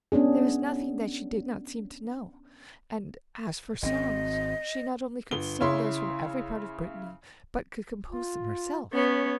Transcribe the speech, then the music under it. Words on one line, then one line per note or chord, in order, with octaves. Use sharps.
There was nothing that she did not seem to know, and as for songs she not only could sing those from every part of Brittany, but could compose them herself.
B3 C#4 D4 G#4
G#1 C3 C4 D#5
G1 G7
C#3 E4 C#5 C6
F4
B3 C#4 C#5